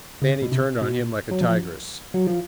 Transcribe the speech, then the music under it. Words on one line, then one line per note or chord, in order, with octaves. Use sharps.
Fannie turned on him like a tigress.
C#3
B2
C3
B2
F#3
F3
F#3
F3